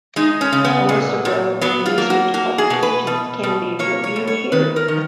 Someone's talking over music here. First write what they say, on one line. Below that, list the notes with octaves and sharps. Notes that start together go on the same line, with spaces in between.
A list of relevant research publications can be viewed here.
G#3 D#4
C#4
C#3
B3
A#2
A#2
F#3 B3
F4
A#3
F#4
A#3 F#4
G#4
B2
B4
B2
B2
A#3 C#5
C#5
B2
C#5
D#3 B4
A#4
D#3